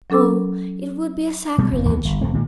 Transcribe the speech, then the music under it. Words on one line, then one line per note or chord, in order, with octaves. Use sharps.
Oh, it would be a sacrilege.
F#3 C#4 A4 D6 E6
B2 G3 A3
F#1 E2
D#2 E3 G#3 B3
G1
F1 D#2 A3 C4
A#2 D#3 G#3